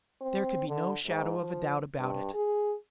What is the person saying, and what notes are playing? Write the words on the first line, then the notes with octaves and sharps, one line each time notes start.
There could be no shadow of a doubt about it.
C4
D3
G#2
F3
G2
G#4